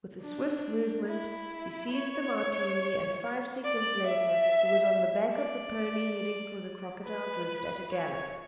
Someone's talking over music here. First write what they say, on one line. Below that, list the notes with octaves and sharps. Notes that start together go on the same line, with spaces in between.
With a swift movement, he seized the Martini and five seconds later he was on the back of the pony, heading for the Crocodile Drift at a gallop.
D4
E4
C#5
D5
E5
D5
B4
C#5